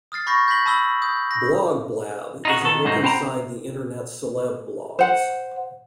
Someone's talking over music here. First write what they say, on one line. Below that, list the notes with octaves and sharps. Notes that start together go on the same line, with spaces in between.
"Blog Blab" is a look inside the internet celeb blogs.
D#6 F6 A6 C7
B5 C#6 G6 A#6 C7
G6 A#6 B6 F#7 G7
A5 B5 D#6 E6 F#7 G7
D#6 G6
A#6
D#4 F4 F#4
D#3 A4
G#2 C3 F#3 C4 D#4
B3 C5 G5 A5 A#5
C5 F#5